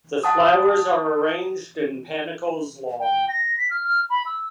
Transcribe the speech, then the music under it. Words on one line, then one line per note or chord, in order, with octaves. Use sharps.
The flowers are arranged in panicles long.
F#5 A5 D#6
G5
A#6
B6
F6
F6
B5
E6